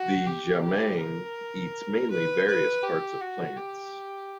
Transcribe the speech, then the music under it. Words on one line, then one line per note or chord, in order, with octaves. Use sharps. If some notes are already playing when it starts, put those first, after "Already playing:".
The siamang eats mainly various parts of plants.
Already playing: F#4
G4
G4
A#4
B4
B4
G4
F#4
G4